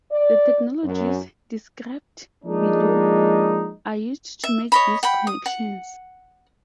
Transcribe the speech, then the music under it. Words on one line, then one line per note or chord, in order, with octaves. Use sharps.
The technologies described below are used to make these connections.
D5
F#2
F3 G#3 A#3 D4 D#4
E5
C#5 D#5 B5
F#5 G5 B5
D#6
F#5